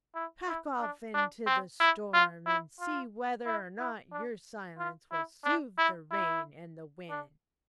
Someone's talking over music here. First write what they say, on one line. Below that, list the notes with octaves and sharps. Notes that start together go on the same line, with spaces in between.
Pack off into the storm and see whether or not your silence will soothe the rain and the wind.
E4
E4
D4
D4
C4
E4
F4
E4
F4
E4
E4
D4
F4
E4
D4
E4
E4
D4